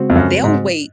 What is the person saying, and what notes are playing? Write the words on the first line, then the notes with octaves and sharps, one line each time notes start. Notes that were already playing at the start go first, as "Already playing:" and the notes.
they'll wait
Already playing: C#3 G#3 C4 F#4 C5
F2
F#2
G#2